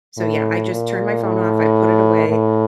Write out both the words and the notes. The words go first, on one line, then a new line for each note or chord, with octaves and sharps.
So, yeah, I just turn my phone off, I put it away,
A2
A#2
A2
A2